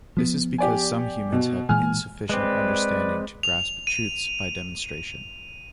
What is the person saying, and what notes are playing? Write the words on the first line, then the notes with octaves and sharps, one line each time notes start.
This is because some humans have insufficient understanding to grasp truths by demonstration.
F3 B3
G4 D5 G#5
B2
A#2 E3 G#3 G#5 F6
G#3 C4 B4 D5
F7
D#7